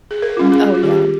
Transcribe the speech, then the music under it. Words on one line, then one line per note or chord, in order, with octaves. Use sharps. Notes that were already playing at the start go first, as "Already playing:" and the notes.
Oh, yeah.
G#4
A#4
G3 C#4 F4
G#4
F4
D#3 G4